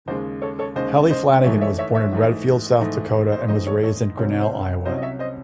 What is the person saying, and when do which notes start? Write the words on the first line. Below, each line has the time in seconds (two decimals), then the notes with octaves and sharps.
Hallie Flanagan was born in Redfield, South Dakota, and was raised in Grinnell, Iowa.
0.08 D#2 C#3 G#3 C5
0.42 A4 C#5
0.59 A4 C#5
0.76 D#2 C#3 G#3 C5 D#5
1.10 C5 D#5
1.44 G#2 E3 A3 D#4 C#5 E5
1.61 C#5 E5
1.78 C#5 E5
1.95 C#5 E5
2.12 G#2 E3 A3 D#4
2.81 G#2 E3 A3 D#4
3.32 C5
3.40 C#5
3.48 G#2 E3 A3 D#4 C5 D#5
3.67 A4 C#5
3.83 A4 C#5
4.17 C2 C3 F#3 C#4 C5
4.41 C5
4.85 C2 C3 F#3 C#4 C5 D#5
4.98 D#5
5.02 C#5 E5
5.19 C5 D#5